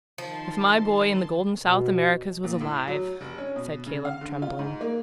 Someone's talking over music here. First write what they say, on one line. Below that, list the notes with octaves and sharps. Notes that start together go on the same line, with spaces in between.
"If my boy in the Golden South Americas was alive----!" said Caleb, trembling.
D#3 F3 A5 C6
B2
A#2
A2
F#3
F1
C#4
B2
C#3
F5
D3
F4
G#2
A#3